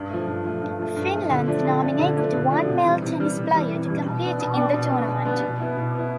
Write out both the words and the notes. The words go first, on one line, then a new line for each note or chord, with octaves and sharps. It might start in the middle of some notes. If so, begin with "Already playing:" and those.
Finland nominated one male tennis player to compete in the tournament.
Already playing: G2
F3 A3
G2
F3 A3
G2
F3 A3
G2
F3 A3
D3
F3 A3 D4
D3
F3 A3 D4
D3
F3 A3 D4
D3
F3 A3 D4
C3
E3 G3
C3
E3 G3
C3
E3 G3
C3
E3 G3
B2
B3 D4
B2
B3 D4
B2
B3 D4
B2
B3 D4
B2
B3 E4
B2
B3 E4